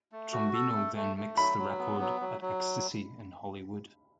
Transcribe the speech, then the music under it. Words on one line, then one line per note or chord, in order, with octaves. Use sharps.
Trombino then mixed the record at Extasy in Hollywood.
A3
F#4
A4
A3
A3
A3
F#3 B5
F#3
B3
F#3
F#3
F#3